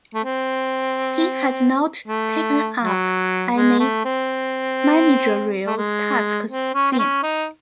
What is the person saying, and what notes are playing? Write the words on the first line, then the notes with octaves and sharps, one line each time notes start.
He has not taken up any managerial tasks since.
A3
C4
A3
F#3
G#3
A3
C4
A3
G#3
C4
C#4
C4
C#4
D#4